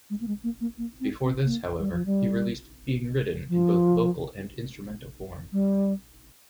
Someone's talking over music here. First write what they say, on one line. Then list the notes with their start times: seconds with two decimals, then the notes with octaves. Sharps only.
Before this, however, he released "Being Ridden" in both vocal and instrumental form.
0.10 G#3
0.21 A#3
0.27 G#3
0.44 A#3
0.61 A#3
0.78 A#3
1.00 C4
1.24 C4
1.46 A#3
1.80 G3
1.92 F3
2.06 G3
3.49 F3
5.53 G3